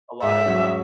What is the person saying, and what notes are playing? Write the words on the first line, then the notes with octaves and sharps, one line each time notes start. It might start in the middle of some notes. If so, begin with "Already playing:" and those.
a lot of uh,
G#2 E5
F#3 C#4